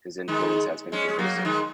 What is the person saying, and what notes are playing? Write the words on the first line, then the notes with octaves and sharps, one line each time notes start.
His influence has been pervasive.
D#3 G#3
G#3 C#4
G#3
F#3 A#3
F#3
D#3 G#3